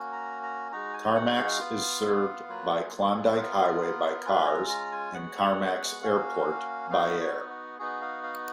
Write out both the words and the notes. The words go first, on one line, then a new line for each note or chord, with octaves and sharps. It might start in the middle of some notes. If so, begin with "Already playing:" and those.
Carmacks is served by Klondike Highway by cars and Carmacks Airport by air.
Already playing: A#3 C#4 F#4
A#5
A#5
G#3 D#4 F#4 A#5
G#5
F#5
F5
B3 F4
F#3 A#3 F4 B4
G#4
G#4
B3 F4 A#4
G#3 C#4 F4 B4
A#5
A#5
G#5
G#3 B3 F#4 F#5
A#3 C#4 F#4 F5
B3 D#4 F#4 F5
F#4
F#4
B3 D#4 F#4 G#4
F5
F5